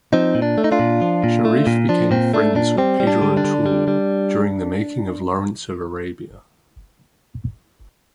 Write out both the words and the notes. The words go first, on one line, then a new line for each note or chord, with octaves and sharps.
Sharif became friends with Peter O'Toole during the making of "Lawrence of Arabia".
F3 C4 D#4
A#2
D4
A3
D#4
D4 F4
A#2
F3
A#2
A3
A#2
F3 D4
A#2 C4
A3 D4
A#2 D4
G3 C4
G3
D4
D3
D4
D3
G3
G3